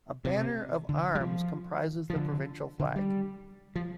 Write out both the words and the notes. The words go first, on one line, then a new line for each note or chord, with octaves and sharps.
A banner of arms comprises the provincial flag.
C3
D3
G3
F3
F3
D3
D3
G3
F3